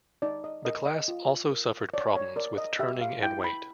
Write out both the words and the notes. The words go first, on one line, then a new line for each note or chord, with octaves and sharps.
The class also suffered problems with turning and weight.
D#4 D5
D#5
A#4 D#5
D#5
F4
A#4
C#5 D5
C#5
A#4 D5
D#5
G4 E5
F5
E4 G5
B5